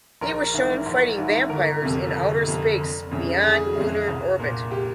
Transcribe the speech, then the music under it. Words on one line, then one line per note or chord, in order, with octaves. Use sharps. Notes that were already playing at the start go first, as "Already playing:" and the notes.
He was shown fighting vampires in outer space beyond lunar orbit.
A#1 A#4
G#2 E3
A#1
G#2 E3
G1 A#4
F2 C3
G1
F2 C3
F1
F2 C#3 E3
F1 G#4
F2 C#3 E3
C2
A#2
G4